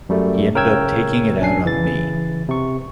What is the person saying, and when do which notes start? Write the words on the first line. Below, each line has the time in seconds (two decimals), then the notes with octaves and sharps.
He ended up taking it out on me.
0.09 F#2 G3 A3
0.55 C#3 A#4 C#5 G5 E6 G#6
1.40 A#1 C#4 D4 G#5 C7
1.64 C#3 E3 A6
2.49 C3 C#6